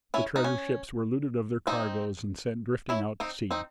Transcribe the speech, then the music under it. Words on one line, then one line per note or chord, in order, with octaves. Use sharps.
The treasure-ships were looted of their cargoes and sent drifting out to sea.
C#4 E4
D#4
C#4
C4 D#4
C#4 E4
C4 D#4
C4 D#4